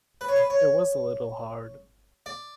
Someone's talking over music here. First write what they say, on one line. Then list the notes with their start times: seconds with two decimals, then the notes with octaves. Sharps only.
It was a little hard.
0.21 B4
0.29 C#5
0.36 B4
0.50 C#5
2.26 D5